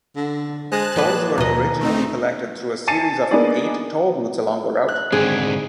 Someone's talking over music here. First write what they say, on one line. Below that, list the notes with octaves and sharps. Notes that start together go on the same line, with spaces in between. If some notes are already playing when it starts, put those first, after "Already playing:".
Tolls were originally collected through a series of eight toll booths along the route.
D3
G#3 C5 A5 D#6 F#6 G#6
A#2 F3 D4 B4
D#2 B2 D#5 A#5 F#6
A3 C4 D#4
G#5 A5 A6 C7 C#7 D#7
A#3 B3 D4 D#4 G#4 D5
F#6
G#2 D3 C4 G#4